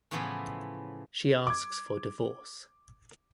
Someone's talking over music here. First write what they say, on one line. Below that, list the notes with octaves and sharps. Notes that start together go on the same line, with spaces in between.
She asks for divorce.
A2 C#3 E3 F3 B3 E4
D6 G#6